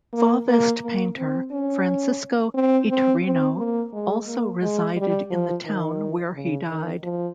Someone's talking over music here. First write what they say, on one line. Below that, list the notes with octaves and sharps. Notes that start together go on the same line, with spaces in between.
Fauvist painter Francisco Iturrino also resided in the town where he died.
A#3
A#3
A#3
C4
C#4
C4
C4
C4
A#3
G#3
A#3
G#3
G3
F3
D#3
C#3
D#3
F3